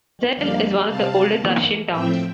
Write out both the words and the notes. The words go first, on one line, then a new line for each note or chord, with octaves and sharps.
Suzdal is one of the oldest Russian towns.
F2 D3 G3 A#3 D5 F5
C3 G3 C4 F5 A5
E2 E3 A#3
A2 F3 A3 C4 E5 G5